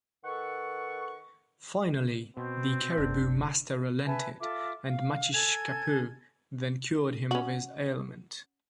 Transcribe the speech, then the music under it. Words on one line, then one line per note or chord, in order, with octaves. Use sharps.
Finally, the Caribou Master relented, and Matshishkapeu then cured him of his ailment.
D#3 A4 B4 F#5 C#6
B2 C4
F#1 D2 D4
B4 E5 G#5 A5
F4 A4 E5 D6
F5
A4 G#5 G#6
C#4 F#4